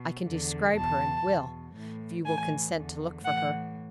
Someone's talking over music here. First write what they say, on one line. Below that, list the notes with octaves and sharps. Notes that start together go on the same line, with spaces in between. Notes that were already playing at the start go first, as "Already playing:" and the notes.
I can describe her, and will, if you will consent to look for her.
Already playing: B2
E2 D3
E2 B2 A5
E2 B2
A2 E3
A2 E3 G#5
E2 D3
A2 E3 F#5